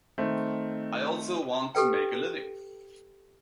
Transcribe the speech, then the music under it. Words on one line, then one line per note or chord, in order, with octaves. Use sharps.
I also want to make a living.
D#3 A3 C4
G4 A4 B4 G5